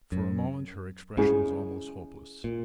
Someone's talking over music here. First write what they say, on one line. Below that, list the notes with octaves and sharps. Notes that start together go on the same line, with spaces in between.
For a moment her expression was almost hopeless.
F#2
G#2 C#4 E4 G#4
A#2